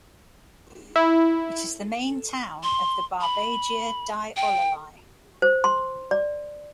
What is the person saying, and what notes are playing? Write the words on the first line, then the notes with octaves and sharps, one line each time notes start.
It is the main town of the Barbagia di Ollolai.
E4
C6
B5
G5
C5
C6
D5